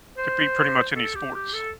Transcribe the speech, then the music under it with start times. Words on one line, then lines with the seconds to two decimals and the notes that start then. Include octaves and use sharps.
Could be pretty much any sports.
0.18 C5
0.96 A4
1.15 G4
1.34 G4
1.53 A4